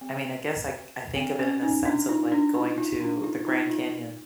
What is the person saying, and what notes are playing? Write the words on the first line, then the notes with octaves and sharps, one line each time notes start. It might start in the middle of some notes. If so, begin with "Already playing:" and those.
I mean, I guess, I I think of it in the sense of, like, going to the Grand Canyon,
C4
C4
C#4
C#4 D#4
D4 E4
D#4 F4
D4 E4
D#4 F4
D#4 F4
D4 E4
D#4 F4
D#4 F4
D#4 F4